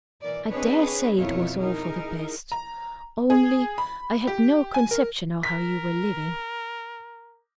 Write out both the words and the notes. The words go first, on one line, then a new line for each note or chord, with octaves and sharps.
I dare say it was all for the best, only I had no conception of how you were living.
B2 E3 A#4 D5
C4 D4 G#4 B4 C#5 D#5
F2 B2 E4 F4 A#4 C#5
D#4 E4 G#4 A#4
A#5
G#4
B5
G4
G#5
A#4
A#4 B6